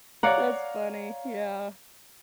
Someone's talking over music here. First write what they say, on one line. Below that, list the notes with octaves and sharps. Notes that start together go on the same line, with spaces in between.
That's funny, yeah.
C#5 D5 F5 F#5 A#5